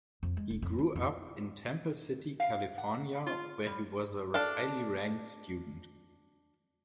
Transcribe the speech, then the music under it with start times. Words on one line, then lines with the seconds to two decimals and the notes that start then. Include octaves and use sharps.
He grew up in Temple City, California, where he was a highly ranked student.
0.23 F2
0.37 G#3
0.50 E1
0.62 F2
0.79 D#3
0.95 F2
2.40 F5
2.78 F#5
3.26 F4
3.66 G3
4.34 D4 A4 F5